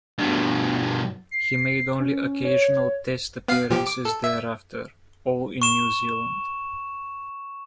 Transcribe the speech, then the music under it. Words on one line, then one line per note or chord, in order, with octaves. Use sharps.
He made only occasional Test appearances thereafter, all in New Zealand.
G2 B2
C7
C#4
C#5
B3 F5 C7
A#2 F3 G4
D6
A4
E5
C#6 E7